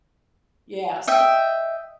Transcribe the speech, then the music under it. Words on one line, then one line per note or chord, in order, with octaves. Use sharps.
Yeah, so
D#5 E5 G5